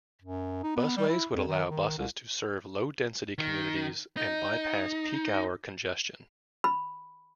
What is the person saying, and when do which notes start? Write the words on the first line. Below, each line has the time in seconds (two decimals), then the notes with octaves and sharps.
Busways would allow buses to serve low-density communities and bypass peak hour congestion.
0.22 F#2
0.63 D#4
0.76 B3
0.97 G3
1.09 E4
1.35 F2
1.48 D#3
1.70 D#3
1.98 C2
3.38 D#3
4.17 D#4
6.64 B5